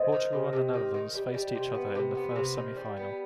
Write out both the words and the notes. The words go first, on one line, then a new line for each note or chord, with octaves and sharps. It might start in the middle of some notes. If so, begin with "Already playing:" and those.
Portugal and the Netherlands faced each other in the first semi-final.
Already playing: C5 D#5
D#3
C3
C3
D#3
D#3
G3
G3
C3
B3
C3
B3
C3
D#3
G3
B3